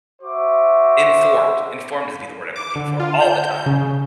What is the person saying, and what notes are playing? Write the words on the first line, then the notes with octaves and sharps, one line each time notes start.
informed, informed is be the word I'm looking for, all the time,
F#4 C5 E5 D6
D6
D3
F4
G6
C#3